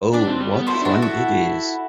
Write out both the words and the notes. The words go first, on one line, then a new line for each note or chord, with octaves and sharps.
Oh, what fun it is!
D4 B4 D5
C4
G3
B3
F#4 A4 C5
E4
D4
E4 F#4 A4
F#4 A4